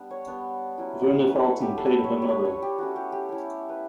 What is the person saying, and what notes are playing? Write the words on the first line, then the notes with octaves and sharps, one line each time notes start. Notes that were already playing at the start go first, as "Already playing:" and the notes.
Verna Felton played her mother.
Already playing: G3 B3 D4
C#5
G3 B3 D4
F#3 C#4 E4
F#3 C#4 E4 B4
A4
G4
G3 D4 A4
B4
A4
C#5
C#5
G3 D4 D5
C#5
G4
A3 C#4 E4 F#4
G4
G4
A3 C#4 E4
B4